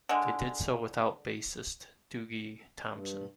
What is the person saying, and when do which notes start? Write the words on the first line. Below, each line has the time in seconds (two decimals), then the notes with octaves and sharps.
They did so without bassist Dougie Thomson.
0.09 D3 G#3
2.88 G2